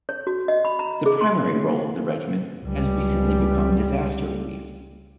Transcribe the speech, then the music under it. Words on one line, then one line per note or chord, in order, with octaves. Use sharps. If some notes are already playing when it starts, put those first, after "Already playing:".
The primary role of the Regiment has recently become disaster relief.
C#5
F#4
D#5
B5
A#5
G#4
C6
C#2 G3